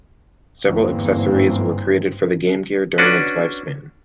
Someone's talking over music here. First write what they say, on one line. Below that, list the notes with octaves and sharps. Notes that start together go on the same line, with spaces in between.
Several accessories were created for the Game Gear during its lifespan.
G1 E2 G#2 E3 A#3 C4
C#4 D4 F#4 B4